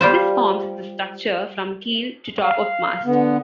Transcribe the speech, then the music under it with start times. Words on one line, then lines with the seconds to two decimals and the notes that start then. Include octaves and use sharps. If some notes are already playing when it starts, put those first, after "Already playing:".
This forms the structure from keel to top of mast.
0.01 G3 F4 C5
2.44 F5
3.06 D3 B3